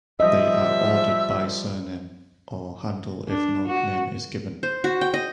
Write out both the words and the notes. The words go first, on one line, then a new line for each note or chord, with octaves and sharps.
They are ordered by surname, or handle if no name is given.
F3 G3 D#5 E5
D4
F#4
C5
F#4
G5
D#5